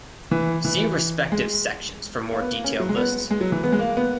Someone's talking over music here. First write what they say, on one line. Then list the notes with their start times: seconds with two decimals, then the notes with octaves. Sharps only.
See respective sections for more detailed lists.
0.31 E3
0.65 E3
1.32 G#3
2.31 A#3
2.42 B3
2.53 A#3
2.64 C#4
2.80 F#3
2.89 G#3
2.96 B3
3.30 G#3
3.41 F#3
3.52 E3
3.64 B3
3.72 G#3
3.79 A#3
3.97 B3